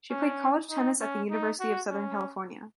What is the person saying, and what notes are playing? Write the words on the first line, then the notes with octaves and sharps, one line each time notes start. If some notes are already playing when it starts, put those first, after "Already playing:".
She played college tennis at the University of Southern California.
C#4
D#4
C#4
D#4
F#4
C#4